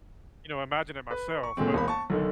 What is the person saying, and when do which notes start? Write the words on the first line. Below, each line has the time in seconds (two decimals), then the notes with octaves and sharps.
you know, imagine it myself, but
1.11 B4
1.43 C#6
1.57 A#2 D3 G#3 C4
1.74 E1 A#3 B5
1.88 A5 C#6
2.10 B1 D3 D#3